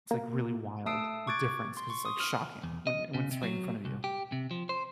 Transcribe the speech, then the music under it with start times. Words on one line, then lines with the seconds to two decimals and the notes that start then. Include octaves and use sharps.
it's, like, really wild, the difference, 'cause it's, like, shocking when when it's right in front of you.
0.11 A#3
0.86 A3 A5 D#6 E6 C7 D7
1.27 C#6 D6 F#6 G#6 A6 D7
1.77 C6
1.90 C#6
2.05 C6 D#6
2.20 F6
2.64 E2
2.87 D#5
3.14 C#3
3.31 C3
3.43 F#3
3.85 C2
4.04 G4
4.32 C3
4.51 F3
4.69 C5